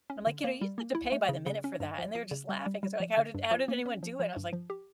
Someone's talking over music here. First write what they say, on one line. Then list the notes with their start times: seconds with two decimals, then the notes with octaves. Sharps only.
I'm like, "You know, you used to have to pay by the minute for that," and they were just laughing 'cause they're like, "How did how did anyone do it?" and I was like,
0.10 C#4
0.27 D3
0.44 A#3
0.61 G3
0.78 A#3
0.95 E4
1.12 A3
1.29 C#3
1.46 C#3
1.64 C#4
1.80 G2
1.98 F3
2.15 F3
2.31 C#3
2.49 G3
2.66 G3
2.83 G3
3.00 F3
3.17 D3
3.34 G2
3.51 F3
3.68 A#3
3.86 C#4
4.03 F3
4.20 F3
4.36 G2
4.53 F3
4.70 G4